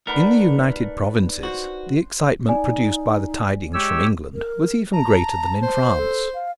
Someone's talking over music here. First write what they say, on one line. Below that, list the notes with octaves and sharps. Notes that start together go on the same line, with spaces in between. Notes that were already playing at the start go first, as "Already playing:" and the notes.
In the United Provinces the excitement produced by the tidings from England was even greater than in France.
A3 D4 D#4 A#4 B4 D5 F#5 B5
F#4 C5
D#4 D5 G#5
G#3 G4 C#5 E6
A#4
A5 A#5
C5
A4
F5